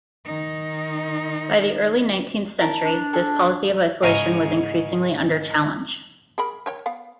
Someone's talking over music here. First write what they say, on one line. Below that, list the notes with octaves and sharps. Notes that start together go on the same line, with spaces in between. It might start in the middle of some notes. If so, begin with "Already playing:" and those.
By the early nineteenth century, this policy of isolation was increasingly under challenge.
D#3 D#4
A#4 A5
D4
G#4 A4
G#2 C#3 A#4 C#5 G#5
G#4 A#4 B5
A#4 C#5 G5
B3 F5